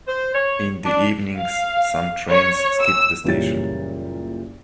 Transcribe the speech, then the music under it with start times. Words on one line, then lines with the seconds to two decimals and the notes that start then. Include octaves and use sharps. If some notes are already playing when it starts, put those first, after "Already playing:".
In the evenings, some trains skip the station.
0.08 C5
0.34 C#5
0.85 D4
1.38 F5
2.29 C#5
2.81 E6
3.24 F#1 A#2 E3 G3 C#4 A6